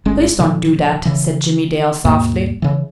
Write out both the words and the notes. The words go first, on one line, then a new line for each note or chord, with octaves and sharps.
"Please don't do that," said Jimmie Dale softly.
G1 G#3 C#4
A#2 D3 F3
C#3 E3
D#2 G#2 B2 A#3
C#3 E3